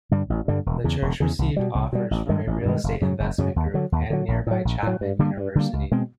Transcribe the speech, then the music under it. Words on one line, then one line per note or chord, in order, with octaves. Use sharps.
The church received offers from a real estate investment group and nearby Chapman University.
G2 D3 G3
A1
G2 D3 G3
E1
E2 C#3
E1
E2 C#3
C2
B2 G3
C2
B2 G3
A1
G2 D#3 G#3
A1
G2 D#3 G#3
F#1
F#2 C#3 F#3
F#1
F#2 C#3 F#3
D#2
D3 F#3
D#2
D3 F#3
A#1
A2 F#3
A#1
A2 F#3
G2
D3 G3 A#3
G2
D3 G3 A#3
C#2
B2 G#3 C4